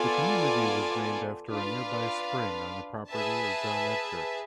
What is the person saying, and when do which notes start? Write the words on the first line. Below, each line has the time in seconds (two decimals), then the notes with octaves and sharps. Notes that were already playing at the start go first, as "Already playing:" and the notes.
The community was named after a nearby spring on the property of John Edgar.
Already playing: B3 F4 A4 D5 G#5
1.49 D4 F4 B4 F5
3.09 G#4 B4 E5 A5